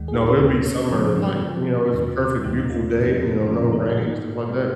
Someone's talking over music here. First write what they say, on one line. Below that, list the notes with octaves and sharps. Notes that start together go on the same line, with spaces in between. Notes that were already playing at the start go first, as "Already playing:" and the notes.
you know, it'll be summer, like, you know, it's a perfect beautiful day, you know, no rain and stuff like that,
Already playing: D#2 D#3 G#3
G#4
D#4 F#4
C#4
D#2 D#3 G#3 B3
C#4
F#2 C#3 F3 G#3 B3
D#4
C#4
F#2 C#3 F3 G#3
D#2 D#3 F#3
D#2 D#3 F#3 B3 D#4
D#4
C#4 F4
F2 C#3 F3 D#4
C#4
B3 D#4
F2 C#3 F3 C#4
B3 D#4
G#4
G#2 D#3 G#3 D#4 F#4
D#3 G#3